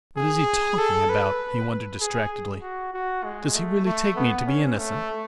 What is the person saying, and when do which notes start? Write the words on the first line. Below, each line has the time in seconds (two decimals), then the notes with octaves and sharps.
"What is he talking about?" he wondered distractedly, "does he really take me to be innocent?"
0.17 G#4
0.78 A4
1.09 B4
2.01 G#4
2.62 F#4
2.93 F#4
3.24 G#3
3.54 A3
3.85 A3
4.16 B3
4.47 C#4
4.78 A3